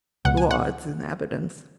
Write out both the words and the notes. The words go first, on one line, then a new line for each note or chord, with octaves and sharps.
Who are its inhabitants?
C#2 B2 F#5
G#5
F#5